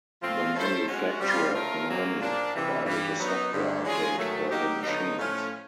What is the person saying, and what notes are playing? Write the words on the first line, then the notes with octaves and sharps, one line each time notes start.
The manufacturer, Konami, provided a software update for the machines.
A#2 F3 A3 C4 F4
A3 C#4 E4 A4 C5
G#3 C#4 F#4
G3 C4 F4
F3 A3 C#4 F4 A#4
F#2 C#3 F#3 A#3
A#2 F3 A#3 D4
C3 E3 G3
G2 E3 G3
F#3 B3 D#4
G2 D3 F#3
E3 G#3 C#4 F4 G#4
G#2 D#3 F#3 A3
F#3 A#3 D#4 G4
D3 F#3 B3 D#4
A2 F3 A3 C#4 F4